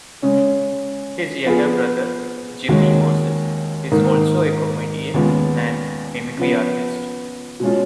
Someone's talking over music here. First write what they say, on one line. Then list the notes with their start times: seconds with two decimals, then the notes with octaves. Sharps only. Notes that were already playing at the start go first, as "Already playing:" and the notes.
His younger brother, Jimmy Moses, is also a comedian and mimicry artist.
0.22 C#3 G#3 C#4
1.45 F3 B3 F4 G#4
2.68 D#2 D#3 G#3 C#4 F#4
3.92 G#2 D#3 A#3 D#4
5.14 D#2 C#3 G#3 B3 F4
6.38 C#3 F3 B3
7.60 B2 G#3 C#4 F4